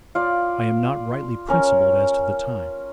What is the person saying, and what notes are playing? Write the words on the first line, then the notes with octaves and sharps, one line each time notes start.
I am not rightly principled as to the time.
F4 D5
C#4 A#4